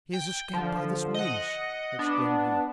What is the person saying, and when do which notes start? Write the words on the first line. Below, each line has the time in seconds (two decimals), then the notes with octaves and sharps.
"He has escaped by this means," exclaimed he.
0.13 G5
0.53 D3 F3
1.14 D#5 F#5
1.99 B3 D4